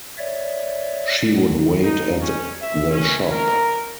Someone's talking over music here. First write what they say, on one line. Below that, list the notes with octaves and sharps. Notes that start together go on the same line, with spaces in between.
She would wait at the “shop”.
C#5 D5 E5
D#4
C#4
E5
C#4
A#4